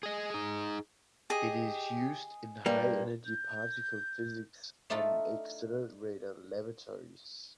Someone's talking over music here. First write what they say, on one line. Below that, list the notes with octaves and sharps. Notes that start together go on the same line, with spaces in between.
It is used in high energy particle physics and in accelerator laboratories.
G#4 D#5
D#4 G#4
G4 G#4 D#5
G2 G3 A#3
G6
A3 D4 D#4 F4 A4